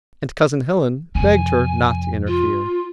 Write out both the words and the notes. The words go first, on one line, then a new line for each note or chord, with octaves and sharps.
And Cousin Helen begged her not to interfere.
F2 C3 G#5
F4